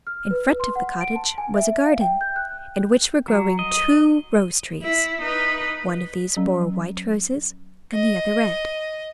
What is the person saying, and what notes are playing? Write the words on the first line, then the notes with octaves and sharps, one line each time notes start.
In front of the cottage was a garden, in which were growing two rose trees; one of these bore white roses, and the other red.
F6
B4
C6
F#5
D7
A5
G#5
E5
F5
G5
G6
F#6
F#3
D#5
E4
D#4 B4
F#3 C#4
D#5